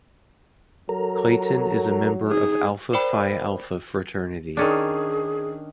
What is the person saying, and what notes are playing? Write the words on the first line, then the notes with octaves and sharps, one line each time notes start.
Clayton is a member of Alpha Phi Alpha fraternity.
F#3 A4 A#4 A#5
D#4 G#4
A#4 C5 D5 G5 B5
D#3 C#4 D4 G#4